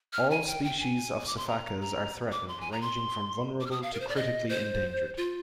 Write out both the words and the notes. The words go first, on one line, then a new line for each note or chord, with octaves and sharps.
All species of sifakas are threatened, ranging from vulnerable to critically endangered.
F6
G#5
G5
G5
G#5
D6
C6
A#5
A#5
D6
C6
G#5
A#5
C6
D6
F6
D#6
F5
A#4
C5
D5
D#5
C5
F4